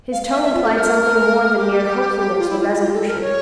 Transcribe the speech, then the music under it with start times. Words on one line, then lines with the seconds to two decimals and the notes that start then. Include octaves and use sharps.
His tone implied something more than mere hopefulness or resolution.
0.12 F5
0.22 F5
0.32 E5
0.42 E5
0.54 F4
0.63 A4
0.74 A#4
1.57 G4
2.39 F4
2.49 E4
2.59 F4
2.70 E4
2.80 F4
2.93 A4
3.07 A#4
3.21 C#5